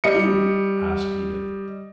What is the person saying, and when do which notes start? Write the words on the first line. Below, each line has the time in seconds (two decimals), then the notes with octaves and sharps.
"Who?" asked Edith.
0.04 G3 D#5 C#7